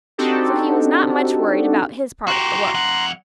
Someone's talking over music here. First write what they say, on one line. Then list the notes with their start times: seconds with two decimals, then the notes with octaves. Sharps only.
So he was not much worried about his part of the work.
0.18 C4 D4 D#4 F#4 G4 A4
2.28 F#4 G4 A#5 C6
2.74 F2 F#5